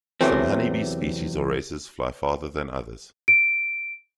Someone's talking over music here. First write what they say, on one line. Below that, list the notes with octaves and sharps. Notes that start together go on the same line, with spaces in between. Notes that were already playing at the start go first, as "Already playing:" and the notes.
Some honey bee species or races fly farther than others.
E2 C3 E3 F#3 A3 C4
D7